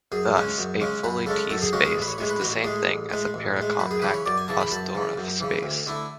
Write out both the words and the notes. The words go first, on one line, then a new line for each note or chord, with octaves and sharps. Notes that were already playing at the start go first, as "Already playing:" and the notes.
Thus, a fully T space is the same thing as a paracompact Hausdorff space.
F#2 G#4
C#3 G#3 C#4
F#2
C#3 G#3 C#4
F#2 B4
C#3 G#3 C#4 A4
F#2 A4
G#4
C#3 G#3 C#4 F#4
G#4
A1
B4
C#5
A2 G#3 C#5
B4
A1 F#4
A2 G#3 G#4
A1
A2 G#3
A1
A2
G#3
F#2 B4
G#4
C#3 E3 B4
C#5
F#2 D5
G#5
C#3 E3 A5
B5
F#2 A5
C#3 E3
F#2
C#3 E3
D2
D3 A3 E4